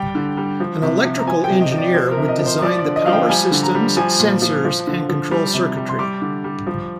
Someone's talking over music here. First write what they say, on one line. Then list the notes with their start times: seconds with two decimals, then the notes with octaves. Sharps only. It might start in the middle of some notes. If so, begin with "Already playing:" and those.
An electrical engineer would design the power systems, sensors, and control circuitry.
Already playing: G3 G5
0.15 D3
0.37 G3
0.60 F3
0.82 C3
1.05 F3
1.19 A#5
1.27 F3 G#5
1.44 G5
1.50 C3
1.61 D#5
1.72 F3
1.78 D5
1.94 F3 C5
2.11 A#4
2.17 C3
2.28 D#5
2.39 F3
2.46 C5
2.62 F3 D5
2.79 D5
2.85 D3
2.96 D#5
3.06 F3 F5
3.13 G5
3.29 G3 G#5
3.52 D3
3.63 A#5
3.75 G3
3.97 F3 G#5
4.19 A#2
4.42 F3
4.65 F3
4.87 D3
5.09 F3
5.31 G3
5.54 C3
5.77 G3
5.89 C6
5.99 G3 D6
6.22 D3
6.44 G3
6.67 F3